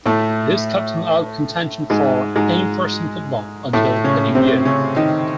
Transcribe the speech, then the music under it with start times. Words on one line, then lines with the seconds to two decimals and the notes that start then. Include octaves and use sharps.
This kept him out contention for any first team football until the New Year.
0.06 A2 A3
1.90 G#2 G#3
2.36 G#2 G#3
3.73 A2 A3
4.04 C#3 C#4
4.35 C3 C4
4.65 C#3 C#4
4.96 D#3 D#4